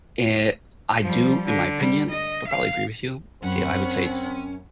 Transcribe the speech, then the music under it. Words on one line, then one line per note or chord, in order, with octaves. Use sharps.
Eh, I do, in my opinion, p probably agree with you, yeah, I would say it's
F3 G3
D3
G3
D#5
F5
F#2 C4 C#4 F#5 B5 C#6